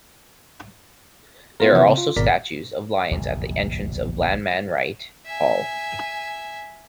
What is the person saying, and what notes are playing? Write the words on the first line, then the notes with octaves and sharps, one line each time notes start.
There are also statues of lions at the entrance to Lanman-Wright Hall.
B3 F4 A#4
C3 E3 F3 B3 E4 B4
C#3 C4
F4
G#1 B2 A#4 D5 A#5 B6
D1 A#1 E2 C3
E5 G#5